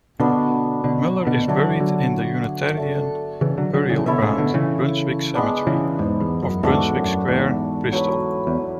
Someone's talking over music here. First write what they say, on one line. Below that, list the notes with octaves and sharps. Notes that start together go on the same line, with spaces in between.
Muller is buried in the Unitarian burial ground, Brunswick Cemetery, off Brunswick Square, Bristol.
B2 D3 B3 D4 F#4
B2 D3
B2 D3
D3 F#3 A3 D4 F#4 C#5
D3 F#3
A3 D4 A4
C#3 E3
D3 F#3
D3 F#3
C#3 E3
B2 D3 E4 A4 C#5 E5
A2 C#3
B2 D3
C#3 E3
G#3 B3 D4
C#3 E3
E2 G#2
E2
F#2
E2 G#2 A3 D4 F#4
F#2 A2
E2 G#2
F#3 A3 E4 B4
E2